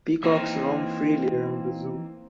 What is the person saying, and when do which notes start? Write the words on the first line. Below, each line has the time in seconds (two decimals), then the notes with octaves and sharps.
Peacocks roam freely around the zoo.
0.24 E3 A#3 C4 D#4 F4